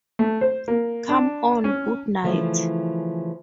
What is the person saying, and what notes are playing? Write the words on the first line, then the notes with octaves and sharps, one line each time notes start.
Come on, good night!
A3
C5
A#3
D4
C#4
C#3 E3 F3 A3 C#4